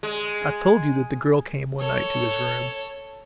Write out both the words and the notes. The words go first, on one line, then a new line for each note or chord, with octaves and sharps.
I have told you that the girl came one night to his room.
G#3
A4 C#5